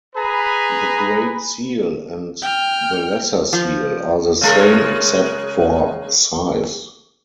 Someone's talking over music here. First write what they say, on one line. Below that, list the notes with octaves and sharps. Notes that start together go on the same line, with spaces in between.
The Great Seal and the lesser seal are the same except for size.
G#4 B4 A#5 B5
G5 F6
F3
C#3 G#3 A#4